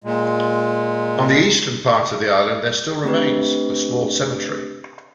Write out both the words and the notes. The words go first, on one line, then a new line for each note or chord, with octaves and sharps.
On the eastern part of the island there still remains a small cemetery.
A#2 G#3
A3 C4 D4 G4 B4